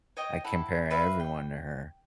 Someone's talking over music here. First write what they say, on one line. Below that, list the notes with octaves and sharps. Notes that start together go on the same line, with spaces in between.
I compare everyone to her,
C#5 D#5 G5 D#6
E4 A4 F#5
B4 E5 F5
G5